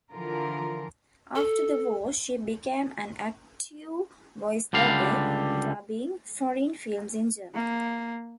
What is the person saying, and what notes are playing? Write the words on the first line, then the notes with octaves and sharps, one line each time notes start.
After the war, she became an active voice dubber, dubbing foreign films in German.
D3 E3 F3 F4 A#4
A4
C#2 D3 G3 F5
A#3